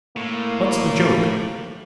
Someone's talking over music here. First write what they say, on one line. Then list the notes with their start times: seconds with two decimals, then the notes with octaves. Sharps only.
"What's the joke?"
0.17 A2 A#3